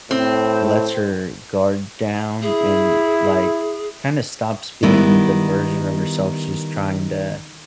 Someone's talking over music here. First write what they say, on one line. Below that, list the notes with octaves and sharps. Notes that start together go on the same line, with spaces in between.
lets her guard down and, like, kinda stops being the version of herself she's trying to
A2 C4
E4 G#4
D#3 G3 B3 E4